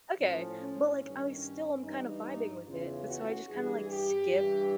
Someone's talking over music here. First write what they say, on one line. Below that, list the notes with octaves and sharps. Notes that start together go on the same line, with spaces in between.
okay," but, like, I still am kind of vibing with it, but so I just kinda, like, skip
A2 F3 C#4
C#4
G2 D#3 C#4
G2 E3 D#4
E2 C#3 E3 F4
F#4
G2 E3 G#4
G4
G2 E3